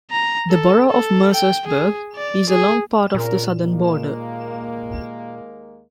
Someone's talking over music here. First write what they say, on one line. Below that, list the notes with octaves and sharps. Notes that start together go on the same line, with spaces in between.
The borough of Mercersburg is along part of the southern border.
A#5
A4
A4
G5
G#4
D5
G#4
A#2 C#3 C4 A#4
D#2 G#3 A#3